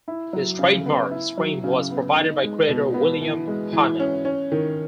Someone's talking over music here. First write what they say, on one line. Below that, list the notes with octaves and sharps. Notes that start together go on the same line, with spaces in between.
His trademark scream was provided by creator William Hanna.
E4
F#3
C#3
B3
E4
F#3
C#3
B3
D#4
G#3
B2
B3
E3
G#3
E3
C#4
C#4
D#3